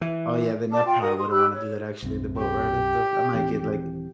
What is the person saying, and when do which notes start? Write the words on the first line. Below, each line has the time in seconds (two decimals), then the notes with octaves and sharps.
Oh, yeah, then I probably wouldn't wanna do that actually, the boat ride and stuff. I might get, like,
0.01 E3
0.70 D5 A5 D6
0.85 F4 G5
1.01 F#4 A#4 D#6
1.17 C6 D#6
1.29 G4 B5 E6 F#6
1.52 C#5
2.02 B1 F#2 C4
2.37 G4
3.33 D#1 E3 C4